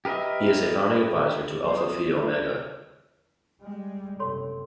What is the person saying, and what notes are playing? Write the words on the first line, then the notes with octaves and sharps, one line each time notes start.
He is a founding advisor to Alpha Phi Omega.
G4 A#4 B4 D#5 E5
F#3 C5 A#5 C6
D#6
F4
G#3 E4 F4 A#4 D5
G3 G#3
F#1 C3 A4 C#5 C6